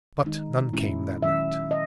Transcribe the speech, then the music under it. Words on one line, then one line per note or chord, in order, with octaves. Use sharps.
But none came that night.
D#3 G#3 D#4
A#2 G#3 C#4 E4
D#3 F#3 C#4 E5
D#5